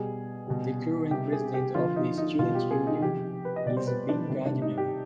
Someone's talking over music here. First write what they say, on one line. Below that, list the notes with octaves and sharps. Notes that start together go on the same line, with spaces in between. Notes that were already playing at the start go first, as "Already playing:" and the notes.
The current president of the Student Union is Ben Gardiner.
Already playing: B2 G3 G#4
B2 G3
C3 G3 G4
G#4
G4
D3 F3 F4
D#4
D#4
B2 G3 F4
G4
G#4
D#4
C3 F3 G4
B4
D#5
B2 G3 D5
C5
B4
D4
C3 D#3 G3
D4
D#4
G4